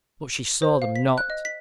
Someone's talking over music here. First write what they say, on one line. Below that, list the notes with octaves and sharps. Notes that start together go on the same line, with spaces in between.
But she saw them not.
C5
F5
B6
F#6
D#5
B6